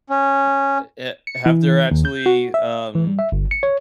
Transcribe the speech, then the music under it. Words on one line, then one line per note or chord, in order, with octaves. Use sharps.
N uh, eh have there actually, um,
C#4
C#7
E3
D#2
G6
F#4
E5
E3
G3
E5
G1
C#7
C#5